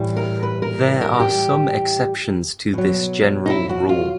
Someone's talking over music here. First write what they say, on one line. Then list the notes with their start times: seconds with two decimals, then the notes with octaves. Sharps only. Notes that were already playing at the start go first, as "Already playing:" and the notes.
There are some exceptions to this general rule.
Already playing: A2 E3 G3
0.16 A#4
0.43 B4
0.62 A#4
1.01 A#4
1.20 G4
2.73 B2 F#3
3.46 D#4
3.50 E4
3.69 F#4
3.89 F4